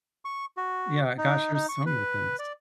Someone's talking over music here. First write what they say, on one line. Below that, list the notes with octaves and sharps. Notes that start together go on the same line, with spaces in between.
yeah gosh, there's so many things.
C#6
F#4
D#4
D#4
C#6
B4
D5